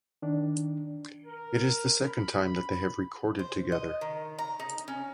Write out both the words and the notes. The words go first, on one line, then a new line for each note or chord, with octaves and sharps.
It is the second time that they have recorded together.
D#3 D4
A#4
B5
C5
D#5
D#3
A#5
D#4
C#4